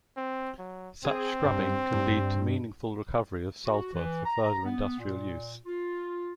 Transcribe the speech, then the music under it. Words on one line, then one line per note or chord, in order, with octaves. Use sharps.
Such scrubbing can lead to meaningful recovery of sulfur for further industrial use.
C4
F#3
C4 G#4
G2
G2
F#4
E3
A#5
B3
A#2
F4